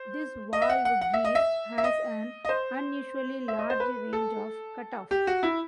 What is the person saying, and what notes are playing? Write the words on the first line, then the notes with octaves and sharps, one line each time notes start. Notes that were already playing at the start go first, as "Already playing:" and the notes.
This valve gear has an unusually large range of cutoff.
Already playing: C5
D#5
E5
F#5
F#5
F#5
E5
D#5
E5
E5
D#5
D#5
C5
E5
D#5
C5
B4
A4
G4
F#4
E4